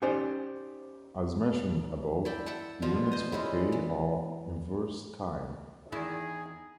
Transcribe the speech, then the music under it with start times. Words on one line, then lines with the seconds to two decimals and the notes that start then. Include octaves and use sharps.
As mentioned above, the units for k are inverse time.
0.02 C#4 D#4 G4 C5 D5
2.25 E4 D5 G5
2.46 E5 F#5 G5 A5
2.82 B2 D3 F3 F4
3.12 C5 D#5
3.32 G3 G#3 C#4 E4
3.72 E3
5.92 E2 D#3 E4 G#4